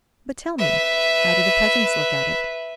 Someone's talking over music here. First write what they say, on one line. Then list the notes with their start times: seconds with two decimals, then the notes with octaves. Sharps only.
But tell me, how do the peasants look at it?
0.58 B4 E5